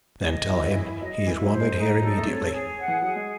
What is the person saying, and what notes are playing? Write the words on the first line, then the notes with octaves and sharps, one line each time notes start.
"Then tell him he is wanted here immediately."
E3 D#5
F#3 E4
F#3
E3 G#4
F#3 D#5
E3 E4
F#3
C5
G#3
G#3 D#4
F#3 A4
A3
C4 C#5
G#4
F#5
E3
F#3 G#4
G#3